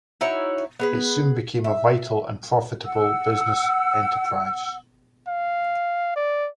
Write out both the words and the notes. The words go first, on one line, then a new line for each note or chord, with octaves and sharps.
It soon became a vital and profitable business enterprise.
D#4 E4 F#4 C#5
B3 G#4 B4
E5
F#5 E6
F5
D5